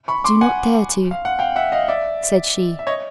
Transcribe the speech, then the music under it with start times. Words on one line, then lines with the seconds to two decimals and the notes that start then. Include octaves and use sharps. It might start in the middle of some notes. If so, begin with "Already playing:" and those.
"I do not dare to," said she.
0.08 B5 C#6
0.24 C6 D6
0.41 F#5 G#5
1.11 F5
1.25 F#5
1.39 F5 G5
1.56 E5 F#5
1.72 D#5 F5
1.88 D5 E5
2.79 E5
2.87 C#5 D#5